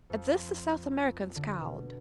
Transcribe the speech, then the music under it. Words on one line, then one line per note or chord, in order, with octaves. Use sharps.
At this the South American scowled.
F2
C6
D3
B2